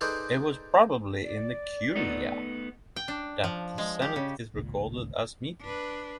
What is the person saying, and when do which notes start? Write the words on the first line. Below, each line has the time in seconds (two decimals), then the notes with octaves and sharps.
It was probably in the curia that the senate is recorded as meeting.
0.01 D#4 G#4 A4 B4 C5 D5
1.22 D5
1.96 A3 B3 D#4
2.96 G5
3.08 D4
3.44 F3
3.78 G#3
4.02 G4
4.16 C#3
4.54 G#1 C#2 A#2
5.61 D4 B4